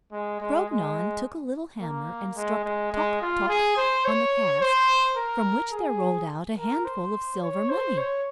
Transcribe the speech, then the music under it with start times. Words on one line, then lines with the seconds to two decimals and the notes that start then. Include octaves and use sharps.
Grognon took a little hammer, and struck "toc, toc," on the cask, from which there rolled out a handful of silver money.
0.12 G#3
0.40 G#3
0.69 G#3
1.80 A#3
2.37 G#3
2.64 G#3
2.92 G#3
3.21 F4
3.48 G#4
3.77 C5
4.05 C#5
4.60 C5
5.17 A#4
5.73 G#4
6.58 A#4
6.85 C5
7.42 C#5
7.69 C5
7.97 C#5